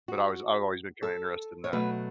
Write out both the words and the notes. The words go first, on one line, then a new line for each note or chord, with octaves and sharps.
But I was I've always been kinda interested in that.
F#4
A4
C#5
B2 F#3 A3 B4